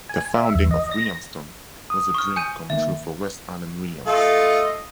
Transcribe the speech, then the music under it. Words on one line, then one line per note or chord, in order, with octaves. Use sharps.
The founding of Williamston was a dream come true for West Allen Williams.
G#5
E5
E2
D#5
A#6
D#6
C#6 F6
G#5 G6 D#7
D#3 A#3 E5
A3 F4 A4 D#5